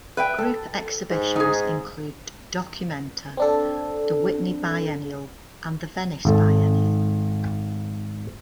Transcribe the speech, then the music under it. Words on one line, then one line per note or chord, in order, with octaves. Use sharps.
Group exhibitions include Documenta, the Whitney Biennial, and the Venice Biennale.
B4 E5 G5
A4
G#2
D#4 G#4
C4 D4 A4
G#1 A4